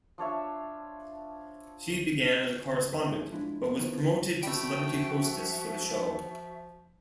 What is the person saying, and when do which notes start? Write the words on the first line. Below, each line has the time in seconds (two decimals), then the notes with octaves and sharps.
She began as a correspondent, but was promoted to celebrity hostess for the show.
0.18 F3 D4 C#5 E5
2.74 C#2
2.92 F2 B4 E5 F5 G5 C6
3.12 A2 A3 D#4 G#4
3.32 F3 G#3 D4 E4
3.62 F2 B3 A#4
3.79 D#3 F3 B3 C4 E4
4.43 F3 G3 A3 F#4 E5 G5